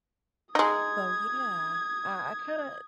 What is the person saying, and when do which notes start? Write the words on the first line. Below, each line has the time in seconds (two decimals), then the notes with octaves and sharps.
So, yeah, I I kinda
0.55 G#3 D#4 D#6 G#6